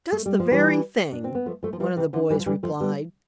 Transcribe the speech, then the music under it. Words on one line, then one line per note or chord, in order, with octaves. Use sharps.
"Just the very thing!" one of the boys replied.
A3
G3
F3
E3 G3
D4
C4
B3
F3 A3
F3 A3
F3
E3 G3
C3 E3
D3 F3
E3 G3
F3
E3 G3
F3 A3
G3 B3